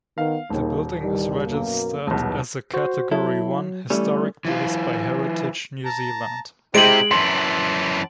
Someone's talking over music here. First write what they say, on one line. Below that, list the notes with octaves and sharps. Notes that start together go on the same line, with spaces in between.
The building is registered as a Category One historic place by Heritage New Zealand.
D#3 B3 F5
D#1 D#2 G#2
D#3 E3 G3
F#2 B2 A#3
D#1 B1 E3 G#3 B3
F#4 C5
F#3 E4 A4
E3 G3 A3 C#4
E3 F4
A5 A#5
C3 G#3 E4 G4 C5 D7 F#7
F#2 E3 A5 C6